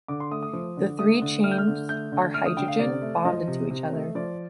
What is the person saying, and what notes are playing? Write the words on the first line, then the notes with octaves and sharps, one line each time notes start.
The three chains are hydrogen bonded to each other.
D3 D6
C6
A3 D#6
D#6
F3
D3
A3 D#6
D3
A3 F6
G6
F6
D3
A3 G6
D3
A3 F6
D#6
D3 G5
F5
C3 D5
A3
F3 D#5
C3
C3
A3
F3 D5